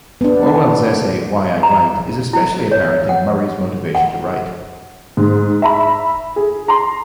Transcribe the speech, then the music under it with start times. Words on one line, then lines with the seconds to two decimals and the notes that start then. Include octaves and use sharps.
Orwell's essay Why I Write is especially apparent in Murray's motivation to write.
0.21 B3 D4
1.63 A#5
2.33 E4
2.72 C#5
3.09 F#5
3.95 F#5
5.17 G#2
5.62 E5 A#5 B5
6.36 G#4
6.68 A#5 C6